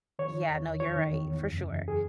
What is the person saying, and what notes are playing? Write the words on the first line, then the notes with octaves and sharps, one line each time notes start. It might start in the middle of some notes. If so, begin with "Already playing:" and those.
Yeah, no, you're right, for sure.
D#3 C#5
D#3
E2
E2
D#3 C#5
D#3
E2
E2
F#2
C#3
E3
G#4